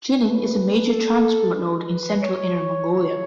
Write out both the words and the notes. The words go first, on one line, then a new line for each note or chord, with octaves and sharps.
Jining is a major transport node in central Inner Mongolia.
C#3 F#3 A3 B4
A4
D#3 G#3 B4
C#5
C#3 F#3 A3 C#5